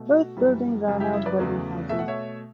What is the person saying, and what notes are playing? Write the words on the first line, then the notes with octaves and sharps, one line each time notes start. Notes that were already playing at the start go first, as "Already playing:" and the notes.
Both buildings are now dwelling houses.
Already playing: B2 A3
F#4
F#2 E3 G3
F#2 C#3 G3
E4 G4
E4
B4 D5
E2 C#3 F#3 A3
B2 A3 E5
F#5
C#5 E5